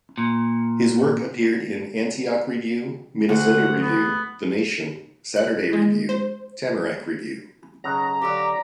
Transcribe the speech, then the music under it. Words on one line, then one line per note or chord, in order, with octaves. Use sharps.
His work appeared in "Antioch Review", "Minnesota Review", "The Nation", "Saturday Review," "Tamarack Review".
A#2
D2 F#5
B3
F#6
G#3
C5
B1 C#3 F#5 A#5
D3 F#3 G4 D5 F5